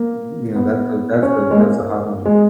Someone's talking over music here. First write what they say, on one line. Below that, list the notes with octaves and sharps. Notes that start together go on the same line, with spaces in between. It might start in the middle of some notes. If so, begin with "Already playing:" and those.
You know, that's a that's a that's a hot one.
Already playing: A#3
B3
C#4
G#3
A#3
G#3